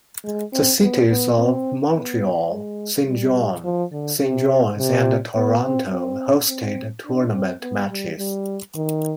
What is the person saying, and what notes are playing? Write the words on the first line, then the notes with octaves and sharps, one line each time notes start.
The cities of Montreal, Saint John, Saint John's, and Toronto hosted tournament matches.
G#3
C4
B3
B3
C4
B3
G#3
G3
F3
D3
C3
C3
B3
C4
C4
C4
D4
C4
B3
G3
G3
D#3